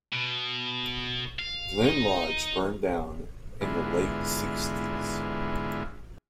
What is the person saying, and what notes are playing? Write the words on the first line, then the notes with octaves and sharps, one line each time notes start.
Glen Lodge burned down in the late sixties.
B2
F5
D#4
G#2 D3 E3 G#3 B3 F4